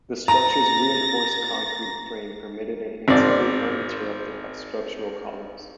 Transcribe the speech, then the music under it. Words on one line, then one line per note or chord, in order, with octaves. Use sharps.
The structure's reinforced concrete frame permitted an interior uninterrupted by structural columns.
A#5 A6 A#6
G#1 C4 D5